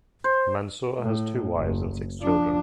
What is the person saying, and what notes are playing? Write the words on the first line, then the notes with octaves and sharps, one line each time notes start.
Mansour has two wives and six children.
C5
A2
F#1
F3 D4